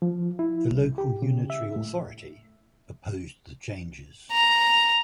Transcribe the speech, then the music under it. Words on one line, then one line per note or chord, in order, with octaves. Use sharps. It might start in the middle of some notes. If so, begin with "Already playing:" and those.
The local unitary authority opposed the changes.
F3
E4
C2
G4
C#3
E5
A2
A#5